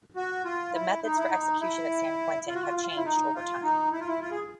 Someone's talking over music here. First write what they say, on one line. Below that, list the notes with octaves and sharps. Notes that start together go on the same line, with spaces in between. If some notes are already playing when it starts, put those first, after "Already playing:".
The methods for execution at San Quentin have changed over time.
F#4
F4
E4
D#4
E4
D#4
E4
F4
F#4
F4
F4
F4
E4
D#4
F4
D#4
E4
F4
E4
F4
G#4